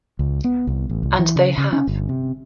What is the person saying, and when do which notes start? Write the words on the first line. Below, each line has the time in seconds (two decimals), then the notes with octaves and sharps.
And they have.
0.19 C#2
0.44 B3
0.67 C2
0.89 A1
1.03 C2
1.19 E3
1.36 C#3
1.58 C#3
1.73 C#4
1.87 G1
2.09 C3